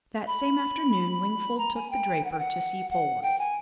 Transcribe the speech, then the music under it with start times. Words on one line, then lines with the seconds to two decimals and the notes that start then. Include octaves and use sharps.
That same afternoon, Wingfold took the draper to see Polwarth.
0.27 B5
1.58 A#5
1.75 G#5
1.90 G5
2.24 F#5
2.31 G5
2.39 F#5
2.90 F#5
3.22 G5
3.38 G#5